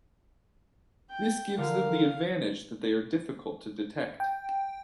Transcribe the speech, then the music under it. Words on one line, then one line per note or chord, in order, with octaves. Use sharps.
This gives them the advantage that they are difficult to detect.
G5
D3 A#4 F5
G5